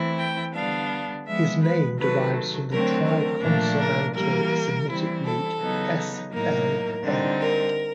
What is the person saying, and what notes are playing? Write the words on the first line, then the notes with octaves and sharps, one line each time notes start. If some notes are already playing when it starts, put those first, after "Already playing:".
His name derives from the triconsonantal Semitic root S-L-M.
Already playing: E3 A3 C4 E4
G5
D3 G3 B3 D4 F5
F3 G#3 B3 E5
B4
C3 D#3 F#3 A3 B4
D3 F#3 A3 C4 A#4
A#4
A#2 F3 A3 D4
A#4
E3 G3 A#3 A#4
E3 G3 C4 E4
A4
C#3 F#3 B3 D#4
A2 F#3 A#3 D#4 A#4
D3 G3 C4 D#4
A#4